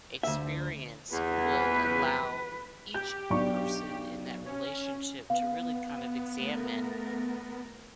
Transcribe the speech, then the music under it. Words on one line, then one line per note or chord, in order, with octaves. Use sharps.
experience will allow each person in that relationship to really kind of examine
D2 E5
E2 B4
G4 G6
B1 D4 C#6
C#4
B3 F5
A3 A#4